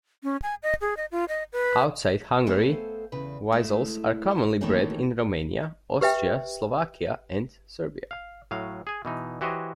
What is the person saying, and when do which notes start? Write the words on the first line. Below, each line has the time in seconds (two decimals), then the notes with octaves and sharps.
Outside Hungary, vizslas are commonly bred in Romania, Austria, Slovakia, and Serbia.
0.23 C#4
0.43 G#5
0.63 D#5
0.81 G#4
0.97 D#5
1.12 F4
1.29 D#5
1.53 B4
2.47 A3 B3 A4 C5 F5 G#5
3.12 E2 C#3 B4
3.52 G#3 A3 E4
4.61 D#3 E3 A3 A#3 C#4 D#4
6.01 G4 B4 E5 G5
8.11 F5
8.51 A2 F#3 F5
8.87 G#4 G#5
9.05 B2 E3 D#4
9.41 E3 F#4 G4 C5 C#5 D#5